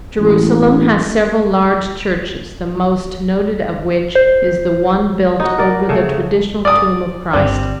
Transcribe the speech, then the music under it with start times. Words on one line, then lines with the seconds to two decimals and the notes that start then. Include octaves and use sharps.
Jerusalem has several large churches the most noted of which is the one built over the traditional tomb of Christ.
0.19 A1
4.15 C5
5.40 D#4 F#4
5.58 A#4 D5
5.89 C#3 A3
6.65 D5 D#6
7.33 G1 D3 G3 C4